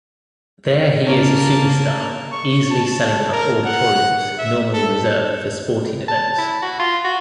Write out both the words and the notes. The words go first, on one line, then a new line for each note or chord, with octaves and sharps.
There he is a superstar easily selling out auditoriums normally reserved for sporting events.
C#3 A#3 C#4 A5
C#6
A5
A#4
F#5
E5
A4
A5
E4
F#4
F4
F#4